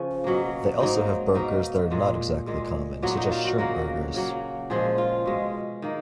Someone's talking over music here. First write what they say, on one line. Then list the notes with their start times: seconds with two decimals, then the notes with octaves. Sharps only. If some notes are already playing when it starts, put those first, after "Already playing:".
They also have burgers that are not exactly common, such as Shrimp Burgers.
Already playing: C#3 F3 C#4
0.24 B2 F#3 A#3
0.80 G#2 F#3 A#3 D#4
1.35 B2 A#3 D#4
1.91 A#2 G#3
2.47 A#2 G#3
3.02 A#2 F#3 A#3 B3
3.17 D#4
3.31 F4
3.45 F#4
3.58 C#3 F#3 A#3 A#4
4.14 C#3 F#3 A#3
4.70 A#2 F3 G#3 G#4
4.98 F4
5.26 B2 G#3
5.82 D#3 A#3